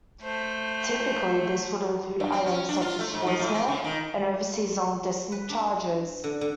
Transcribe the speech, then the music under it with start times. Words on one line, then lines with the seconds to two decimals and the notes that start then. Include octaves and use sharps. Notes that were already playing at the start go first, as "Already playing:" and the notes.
Typically this would include items such as voice mail and overseas long distance charges.
0.22 A3 C5
2.20 G2
2.32 C4
2.46 C#4
2.69 D4
2.81 F4
2.99 A3
3.13 G#2
3.27 F3
3.39 A2
3.54 C4
3.68 C#3
3.84 D#3
5.32 B4
5.49 D4
6.24 D3
6.41 D3